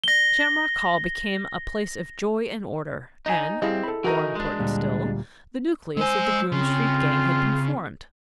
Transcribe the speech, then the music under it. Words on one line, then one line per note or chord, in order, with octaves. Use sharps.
Shamrock Hall became a place of joy and order; and--more important still--the nucleus of the Groome Street Gang had been formed.
A#6 G7
D#4 D#5 G#5
G3 C4 E4 G#4 D#5 F5
A4 B5
E3 D#4 F#4 A#4 A#5
G#3 D4
D2 A#2 G3
G#3 C5 G#5 E6
C#3 C4 F4